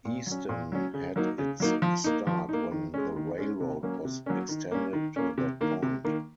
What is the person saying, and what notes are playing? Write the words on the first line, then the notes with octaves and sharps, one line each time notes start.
Easton had its start when the railroad was extended to that point.
A#2
F#3 C#4
A#2
F#3 C#4
C#3
F#3 A#3 D#4
C#3
F#3 A#3 D#4
F3
A#3 D#4
F3
A#3 D#4
D#3
G#3 C#4
D#3
G#3 C#4
C3
F#3 A#3 C#4
C3
F#3 A#3 C#4
D#3
A#3 C#4
D#3
A#3 C#4
C3
D#3 A#3
C3
D#3 A#3